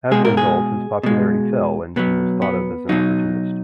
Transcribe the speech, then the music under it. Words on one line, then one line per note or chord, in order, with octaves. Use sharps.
As a result, his popularity fell and he was thought of as an opportunist.
B2 G#3 G#4
A#4
G#4
B2 G#3
B2 F#3 B3
B3
B2 F#3 D#4